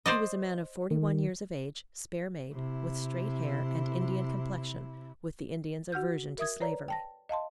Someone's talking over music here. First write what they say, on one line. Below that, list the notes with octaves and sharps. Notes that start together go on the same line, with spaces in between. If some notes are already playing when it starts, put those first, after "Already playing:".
He was a man of forty-one years of age, spare made, with straight hair, and Indian complexion, with the Indian's aversion to Slavery.
C5 D5 D#5
D#3
C3 E4
F#4 F#5 F6 G6
A#4 E5 D#6 G#6
B4 C#5 D5 A#5
G5 A5 A#6
D#5 F5 A5 C6